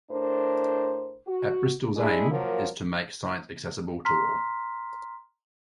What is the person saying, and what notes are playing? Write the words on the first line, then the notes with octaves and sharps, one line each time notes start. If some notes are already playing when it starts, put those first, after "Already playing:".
At-Bristol's aim is to make science accessible to all.
A2 D4 A#4 C5
F#4
G3 G#3 D4 E4 G#4
F3 F#3 A#3 A#4
A#5 C6 F6 B6